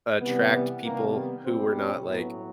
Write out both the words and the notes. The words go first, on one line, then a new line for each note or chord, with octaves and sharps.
attract people who were not, like,
C3 E3 G3 B3
C3 D#3 G3 A#3
B3
B2 G3 C4
C#4
A2 F#3 B3